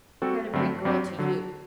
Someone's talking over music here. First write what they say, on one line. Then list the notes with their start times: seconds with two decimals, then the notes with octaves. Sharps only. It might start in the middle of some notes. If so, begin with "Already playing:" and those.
Kreta bring girl to you.
0.22 G3 C4 F#4 A4
0.53 G2 D3 F#3 A3 C4
0.85 G2 F#3 C4 G4
1.19 D3 F#3